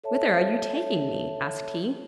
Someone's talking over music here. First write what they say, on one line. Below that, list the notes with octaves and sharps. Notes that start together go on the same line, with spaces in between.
"Whither are you taking me?" asked he.
A4 C#5 E5 A5